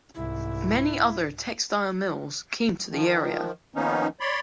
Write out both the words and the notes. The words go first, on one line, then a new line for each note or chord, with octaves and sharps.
Many other textile mills came to the area.
C2 G#2 E4
D#3 F3
D#3 F3 A#3 B3 C#4 D#4
C#5 D5 B5 C6